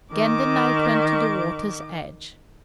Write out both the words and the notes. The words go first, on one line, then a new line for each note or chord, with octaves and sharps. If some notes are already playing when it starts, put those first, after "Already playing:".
Again the knight went to the water's edge.
D#3 D6